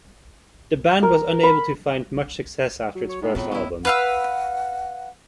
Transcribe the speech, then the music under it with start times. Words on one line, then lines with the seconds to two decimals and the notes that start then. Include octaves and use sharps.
The band was unable to find much success after its first album.
1.03 A#4
1.43 B5
2.95 F#3
3.09 C#5
3.22 G#2 C3 G#3 B3
3.35 F2 A2 C#3 F#3 B3
3.51 E2 G#3 E4
3.85 B4 F5 F#5 E6